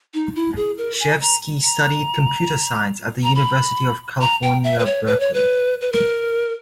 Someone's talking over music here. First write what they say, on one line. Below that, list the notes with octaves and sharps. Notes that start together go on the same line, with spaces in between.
Chevsky studied Computer Science at the University of California Berkeley.
D#4
E4
G#4
A#4
G#5
A#5
A#5
A#5
B5
A#5
G5
E5
B4
C#5
B4
C#5
B4
B4
A#4